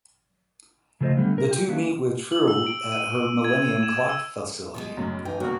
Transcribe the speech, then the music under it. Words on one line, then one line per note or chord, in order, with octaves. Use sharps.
The two meet with Trieu at her Millennium Clock facility.
C#3 F3 A3 G#4 C5 D#5
D3 G3 A3 B3
A#4
G4
A3 A#3 C#4 D4 B4 E5
F#7
E6
D7
D#7
G#6
E7
E6
B2 G3 G#3
F#2 A2
G2 E3 D#4 G5
G1 B2 A#3 F#4 F6